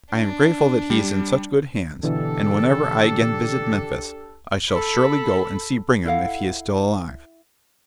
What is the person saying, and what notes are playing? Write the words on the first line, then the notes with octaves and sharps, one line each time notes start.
I am grateful that he is in such good hands, and whenever I again visit Memphis I shall surely go and see Brigham if he is still alive.
D4
G3
B2 D3 E3 D4 G4 A4
A4 B5
E4 A4 F5 F#5